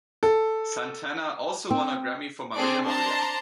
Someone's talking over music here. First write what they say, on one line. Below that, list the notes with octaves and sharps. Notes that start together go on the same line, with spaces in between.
Santana also won a Grammy for "Maria Maria".
A4
C4
C4 D4 G#4 A4 D5 D7
D4 C5 A5 A#5 C6